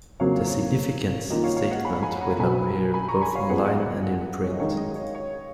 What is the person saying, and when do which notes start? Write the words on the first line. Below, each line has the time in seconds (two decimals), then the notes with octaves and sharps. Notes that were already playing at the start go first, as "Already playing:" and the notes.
The significance statement will appear both online and in print.
0.20 F2 C#3 F#3 A#3 C#5 F5
0.47 C#5
1.30 D#3 A#3 F4 D#5
1.44 C#5 F5
1.57 C#5 F5
1.70 D#5 F#5
1.85 G#5 B5
2.03 G#5 B5
2.21 F#5 A#5
2.39 B1 B2 F#3 G#5 B5
2.94 G#5 B5
3.08 A#5 C#6
3.22 G#5 B5
3.35 C#5 F5
3.49 F#2 F3 B3 F4 G#4 F#5
3.58 G#5
3.66 D#5 F#5
4.44 C#5
4.52 D#5
4.59 D#3 G#3 D#4 C#5 F5
4.71 C#5
4.77 D#5
4.95 C#5
5.15 C#5